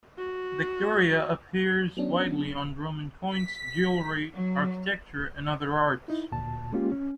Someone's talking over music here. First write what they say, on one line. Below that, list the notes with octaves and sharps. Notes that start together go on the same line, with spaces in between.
Victoria appears widely on Roman coins, jewelry, architecture, and other arts.
F#4
F#3 B3 C#4 D4
B6
F#3
D#4 E4
D2 A#2 A5
G#3 A#3 C#4 F4 G4
C#4